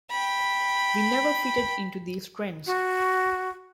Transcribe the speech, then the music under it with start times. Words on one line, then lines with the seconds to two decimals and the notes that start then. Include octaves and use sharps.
We never fitted into these trends.
0.10 G5 B5
2.67 F#4